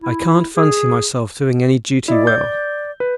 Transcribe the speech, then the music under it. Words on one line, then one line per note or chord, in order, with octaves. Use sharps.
I can't fancy myself doing any duty well.
E4
G#4
E4 D5 D#5
G6
B4